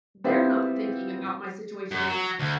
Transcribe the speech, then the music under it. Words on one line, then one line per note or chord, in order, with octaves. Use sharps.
they're not thinking about my situation,
G3 B3 C4 E4 F4
F#2
F#3
D2